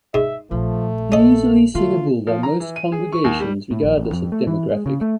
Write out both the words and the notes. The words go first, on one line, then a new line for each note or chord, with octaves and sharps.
Easily singable by most congregations regardless of demographic.
G#2 E5
A#1 F3 A3
C#4 A4 D#5
D3 A3 F4
F3
A#5
E3
D#7
G#4
C#6
D#2
G3
A2
A#1
A1
F2
A3
E3
G#3
C#3
A3